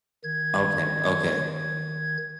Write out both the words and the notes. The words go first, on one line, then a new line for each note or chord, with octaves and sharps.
Okay, okay.
D#3 G#6